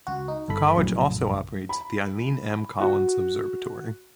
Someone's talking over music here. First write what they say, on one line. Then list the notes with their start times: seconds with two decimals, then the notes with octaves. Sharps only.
The college also operates the Eileen M. Collins Observatory.
0.07 C#2 F#4
0.28 D#4
0.48 G1 A4 B5
0.77 A#1 F#2 A2 C#3
1.69 B5
2.80 F#4